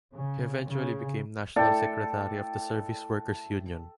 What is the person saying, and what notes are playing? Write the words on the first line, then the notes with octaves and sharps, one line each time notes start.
He eventually became National Secretary of the Service Workers' Union.
C#3
C#3
A3 E4 A4 D5 G5